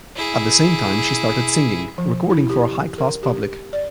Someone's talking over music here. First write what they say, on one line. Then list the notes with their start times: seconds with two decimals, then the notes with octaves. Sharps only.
At the same time, she started singing, recording for a high-class public.
0.16 E4 G#4
1.98 F3
2.30 E4
2.50 G4
2.98 A#4
3.23 G4
3.73 D5